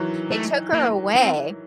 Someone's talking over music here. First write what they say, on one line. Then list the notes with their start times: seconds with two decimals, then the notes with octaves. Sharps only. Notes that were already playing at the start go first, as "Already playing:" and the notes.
They took her away,
Already playing: D#3 E3 F#3
0.31 A3
0.73 A#3
1.16 C4